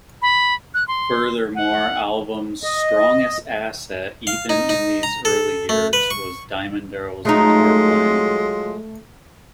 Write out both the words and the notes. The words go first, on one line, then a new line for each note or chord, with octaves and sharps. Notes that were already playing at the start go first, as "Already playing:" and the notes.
Furthermore, album's "strongest asset" even in these early years was Diamond Darrell's guitar playing.
B5
F#6
C6
F#5
D#5
F5
D#4
D#4
A#5
A4
A3
B4
C#6
F#3 G#3 A3 D#4 F4